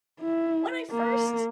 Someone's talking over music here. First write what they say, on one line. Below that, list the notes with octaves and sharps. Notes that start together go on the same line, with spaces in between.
When I first
E4
A#3